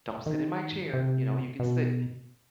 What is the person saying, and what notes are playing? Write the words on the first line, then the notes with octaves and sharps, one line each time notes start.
"Don't sit in my chair." You know, "You can sit"
D#3
C3
B2